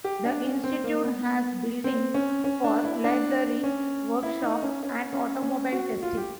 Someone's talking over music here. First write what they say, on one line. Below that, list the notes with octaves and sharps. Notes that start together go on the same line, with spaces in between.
The institute has buildings for library, workshop, and automobile testing.
G4
D4
C#4
C4
A#3
B3
C4
C#4
C#4
D4
E4
D4
C#4
E4
D#4
C#4
C#4
C#4
C#4
F#4
F4
G4